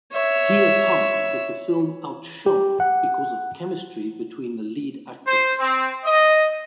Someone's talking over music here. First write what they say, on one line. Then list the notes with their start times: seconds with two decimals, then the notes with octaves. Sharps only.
He opined that the film outshone because of chemistry between the lead actors.
0.12 C#5 E5
2.46 G4
2.80 F#5
5.26 C5
5.60 C4
6.04 D#5